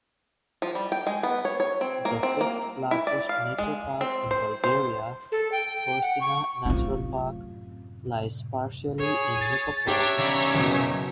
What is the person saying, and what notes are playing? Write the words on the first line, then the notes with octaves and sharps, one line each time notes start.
The fifth-largest nature park in Bulgaria, Persina Natural Park, lies partially in Nikopol.
F3
G3
G5
G#3
B3
C#5
C#5
C4
A#3
C4
A#3
E4
D5
F5
G#3
C4
C5
C5
A4
G5
F#5
C#6
F#2 A2 C3 D#4 F4
G#4 C#5
A6
D4 G4 C#5 E5 A#5
C#3 D5 A#5
F#1 B2